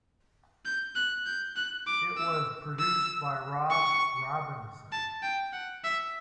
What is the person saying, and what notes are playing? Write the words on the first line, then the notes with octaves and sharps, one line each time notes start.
It was produced by Ross Robinson.
G6
F#6
G6
F#6
D6
E6
E6
C#6
A5
G5
F#5
E5